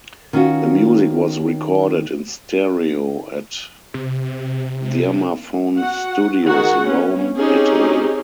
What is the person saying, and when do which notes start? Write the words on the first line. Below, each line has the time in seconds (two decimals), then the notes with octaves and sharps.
The music was recorded in stereo at Dirmaphon Studios, Rome, Italy.
0.33 D#3 C#4 F4 F#4
3.94 C3
5.76 F#4 F#5
6.47 D#3 F#4 G#4 F#5
6.85 B3 C#4
7.39 C4 C#4 D#4 G4 G#4